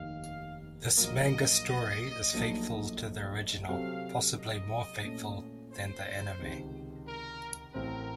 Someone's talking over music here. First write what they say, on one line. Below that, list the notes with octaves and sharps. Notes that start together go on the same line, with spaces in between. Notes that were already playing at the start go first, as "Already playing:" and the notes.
This manga story is faithful to the original, possibly more faithful than the anime.
Already playing: F1 D#2 D#3 F5
A#1 A#2 F#3 A#3 D#5
A#1 A#2 F#3 A3 D#4
C3 F#3 C4 F#4 A4 F5
D#5
A#2 A3 C#4
C5
C#2 C3 D#3
A#4
A1 A2 A3 C4 A#4